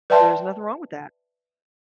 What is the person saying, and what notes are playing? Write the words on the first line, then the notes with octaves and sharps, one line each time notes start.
There's nothing wrong with that.
B4 D5 E5 G5 A5 C6